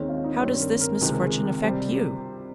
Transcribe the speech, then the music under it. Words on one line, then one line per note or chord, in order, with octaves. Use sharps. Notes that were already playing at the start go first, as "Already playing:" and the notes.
How does this misfortune affect you?
Already playing: D#2 D#3 G#3 C4 C#4 D#4
F4
D#4
G2 D#3 G3 C4 C#4
A#4
A#4
C#2 C3 D#3 G#3 C4 G#4
A#4
G#4
C3 G3 C5